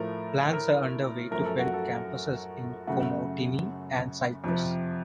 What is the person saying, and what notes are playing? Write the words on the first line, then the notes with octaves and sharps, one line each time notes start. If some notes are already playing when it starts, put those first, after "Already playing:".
Plans are under way to build campuses in Komotini and in Cyprus.
Already playing: A2 F3 A3 A#4
A#4
F#2 F3 A3 A#4
A4
F#4
A4
F#2 C#3 A3 F#4
F2 C3 F3